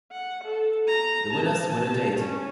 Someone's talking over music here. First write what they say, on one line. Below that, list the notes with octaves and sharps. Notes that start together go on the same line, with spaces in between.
The winners win a date.
F#5
A4
A#5
A5
A5
C#4